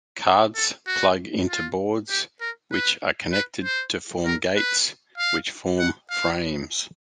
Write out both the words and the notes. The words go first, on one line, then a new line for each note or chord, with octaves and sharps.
Cards plug into boards which are connected to form gates which form frames.
A4
F#4
F4
G4
A#4
B4
B4
C5
A#4
B4
F5
F#5
F5